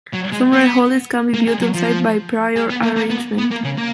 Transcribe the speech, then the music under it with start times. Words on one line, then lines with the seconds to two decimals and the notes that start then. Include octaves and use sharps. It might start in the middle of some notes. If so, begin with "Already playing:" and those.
Some rare holdings can be viewed on site by prior arrangement.
0.13 F#3
0.32 G#3
0.53 B3
1.34 A#3
1.48 G#3
1.61 F#3
1.75 F3
2.56 G#3
2.70 B3
2.83 A#3
2.96 A#3
3.10 B3
3.38 B3
3.51 A#3
3.64 C#3
3.77 A#3